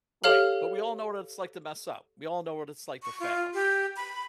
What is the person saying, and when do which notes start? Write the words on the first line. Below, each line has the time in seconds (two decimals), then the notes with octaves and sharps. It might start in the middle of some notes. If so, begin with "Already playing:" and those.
Right, but we all know what it's like to mess up. We all know what it's like to fail.
0.24 G4 A4 C#5 F5 F6 F#7
3.03 C#6
3.20 F4
3.54 G4
3.96 B5